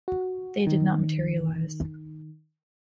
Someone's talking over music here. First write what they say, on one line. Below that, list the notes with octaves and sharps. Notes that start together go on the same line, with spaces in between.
They did not materialize.
F#4
D#3